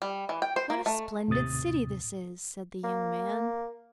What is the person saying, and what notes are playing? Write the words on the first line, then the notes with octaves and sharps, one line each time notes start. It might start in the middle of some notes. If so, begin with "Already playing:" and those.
"What a splendid city this is!" said the young man.
G3
E3
G5
C5
A#3
A3
D#2 A2 C3 D#6 A6
A#3